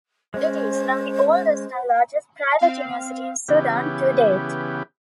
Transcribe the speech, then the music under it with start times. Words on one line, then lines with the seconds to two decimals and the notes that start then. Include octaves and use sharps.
It is now the oldest and largest private university in Sudan too date.
0.34 G#3 C#4 C5
2.58 C4 F5
3.48 C#3 E3 B3 G4